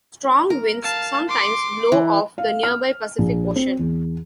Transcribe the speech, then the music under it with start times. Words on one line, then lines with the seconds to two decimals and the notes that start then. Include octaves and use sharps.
Strong winds sometimes blow off the nearby Pacific Ocean.
0.50 A#4
0.83 F5 A5
1.28 C6 D6
1.92 E3
2.38 F5
2.63 F6
3.18 A#1
3.56 C4
3.79 E2